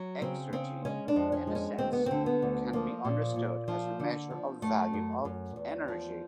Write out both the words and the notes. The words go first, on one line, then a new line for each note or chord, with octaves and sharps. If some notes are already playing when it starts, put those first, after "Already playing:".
Exergy in a sense can be understood as a measure of value of energy.
Already playing: F#3
C#3 C4
C#3 C4
G#3 C#4
D4
F2
C#4
G#3
C#4
D2 C4
B3
D3 C4
B3
D2
F3 A#3
A#2
A#2
F3
D3
F3
F#2 A3
F#2
F#2
E2
F3